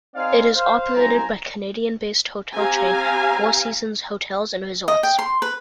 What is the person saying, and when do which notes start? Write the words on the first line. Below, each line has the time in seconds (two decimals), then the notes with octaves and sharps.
It is operated by Canadian-based hotel chain, Four Seasons Hotels and Resorts.
0.15 C4 D#4 G#4 D5 F5
0.53 C5 F5
0.93 C2 F#2 C4 G#5 A#5
2.55 C4 G4 F5 G#5 A#5
4.88 D#5
5.03 G5
5.19 C6
5.42 B4